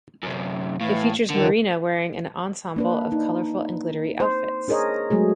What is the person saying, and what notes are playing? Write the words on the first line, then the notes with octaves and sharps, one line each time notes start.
It features Marina wearing an ensemble of colorful and glittery outfits.
F#2 C3
A2 E3 F5
E2 D3 D#3
A#3 D4 B4
D#4
C5
D4 G#4 A#4 C#5 D#5
F#3 G#3 A3 G#4